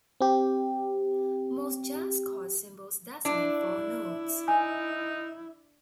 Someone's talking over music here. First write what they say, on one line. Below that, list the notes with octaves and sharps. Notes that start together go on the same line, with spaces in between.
Most jazz chord symbols designate four notes.
C4 G4
D4 E4
D#4 G#5